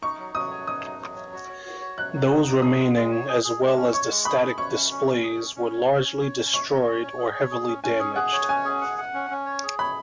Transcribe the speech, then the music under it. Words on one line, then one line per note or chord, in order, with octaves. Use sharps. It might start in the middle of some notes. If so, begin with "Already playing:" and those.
Those remaining as well as the static displays were largely destroyed or heavily damaged.
D#4 C#6
F#3
F#3 D#6
C#5
D#4 D#6
F#3
F#3
C#5
F#4
C#5
F#4
C#5
F#3 F#6
F#3
D#4
F#3
G#4 D#6
G#3
G#3
C#5
G#4
G#4
G#3
C#4
C#5 C#6
G#3
G#4 B5
G#4
C#5 C#6
C#4
C#4
C#4
G#4
C#4
C#4
C#5
C#5
C#4
C#5
C#4
C#5 C#6
C#5
C#4
C#5
G#4
C#5
G#4
C#4
C#4 G#5
G#4
G#4 F#5
C#5
C#4 G#5
G#4
F#5
F#5
C#4
C#4
C#5
G#4
C#5 B5